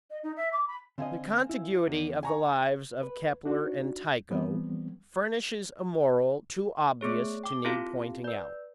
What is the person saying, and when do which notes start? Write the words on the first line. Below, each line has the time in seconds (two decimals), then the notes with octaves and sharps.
The contiguity of the lives of Kepler and Tycho furnishes a moral too obvious to need pointing out.
0.10 D#5
0.23 D#4
0.36 E5
0.52 D6
0.67 B5
0.98 D3 C4 D#5 F5 G#5
1.49 E4
1.87 E2
2.23 G#5 A#5 C#6
3.03 B4
3.45 D4 D#4 F#4
4.30 E3 F3 G3 B3 C4
7.01 A3 B3 G#4 C#5
7.44 G5 D6
7.65 C4 E4 F4 G4 A4 F5
8.24 B4 D5